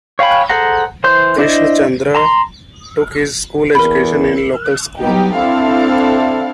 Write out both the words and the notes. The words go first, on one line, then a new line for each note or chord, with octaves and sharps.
Krishnachandra took his school education in a local school.
C#5 F5 G5 G#5 B5
G#4 A4 C5 F#5 A#5
E3 C5 C6 G6
D4 E4 C5 D#5
A5 A#5 C6
E2 A#4 B5
F#3 G3 B3 D#4 G4
C4 D4 E4 A4 F5